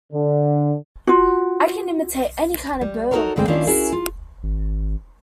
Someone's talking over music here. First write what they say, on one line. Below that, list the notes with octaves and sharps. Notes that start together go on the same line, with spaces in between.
I can imitate any kind of a bird or beast.
D3
F4 F#4
G3
D#4 F#4 G4 A4 A#4 C#5
G2 D3 G#3 C4 G5
D#3 A#3 C#4 D4 E4 F4
C#4 E4 F#4 G#4 A#4
F4
G#1